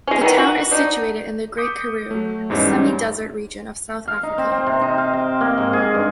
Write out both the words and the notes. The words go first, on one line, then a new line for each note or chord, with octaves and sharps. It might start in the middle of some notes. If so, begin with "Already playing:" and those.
The town is situated in the Great Karoo, a semi-desert region of South-Africa.
G#3 C#4
D#3 E3 B3
F#4
D4 D#4
D6 D#6 G6 B6 C#7
F#3 A3
E2 G#2 E3 G3 C#4 D#4
F5
D#4
C4
C4
C3
D#4
F5
G5
A#3
G#2
G#4
G2